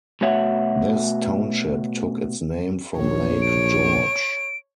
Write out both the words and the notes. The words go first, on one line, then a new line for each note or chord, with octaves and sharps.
This township took its name from Lake George.
B2 A3 F#4 C#5 E5 F#5
A#1 C#5
D7